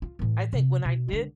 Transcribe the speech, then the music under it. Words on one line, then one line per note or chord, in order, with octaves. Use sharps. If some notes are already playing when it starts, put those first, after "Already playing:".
I think when I did
F4
A2 E3
C3
B2
D3 G#3